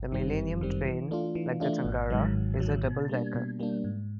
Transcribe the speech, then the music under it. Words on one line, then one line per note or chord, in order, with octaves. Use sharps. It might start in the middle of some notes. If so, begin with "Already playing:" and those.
The Millennium train, like the Tangara, is a double decker.
Already playing: G1
F#2 D#3 G3 C4
G1
F#2 D#3 G3 C4
E3
A3 D4 F4
E3
A3 D4 F4
G#1
G#2 D#3 F#3
G#1
G#2 D#3 F#3
B2
G3 A#3 D4
B2
G3 A#3 D4
G#2